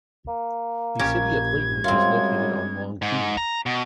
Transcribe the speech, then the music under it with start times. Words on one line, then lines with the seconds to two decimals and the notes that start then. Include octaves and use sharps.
The city of Layton is located on Long Key.
0.28 A#3
0.99 A#1 C#4 G4 A#4 G#6
1.84 F#2 G3 G#3 C4 F4
3.02 G#2
3.37 A#5
3.66 B2